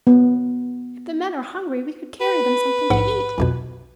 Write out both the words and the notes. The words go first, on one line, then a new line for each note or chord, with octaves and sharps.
If the men are hungry we could carry them something to eat.
B3
B4
A#1 G#2 F#5
B1 F2 B2